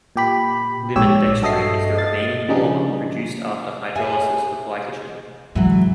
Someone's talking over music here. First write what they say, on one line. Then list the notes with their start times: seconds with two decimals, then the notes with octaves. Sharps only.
Limit dextrin is the remaining polymer produced after hydrolysis of glycogen.
0.16 A#2 G4 B5
0.96 A#1 G#2 G4 C#5 E6
1.42 G2 F#4 A4 D#5 E5 C7
1.97 D#5 A6
2.49 C#3 F3 G3 D4 D#4 G#4
3.96 G#4 E5 G#5
5.55 G#2 C3 E3 F#3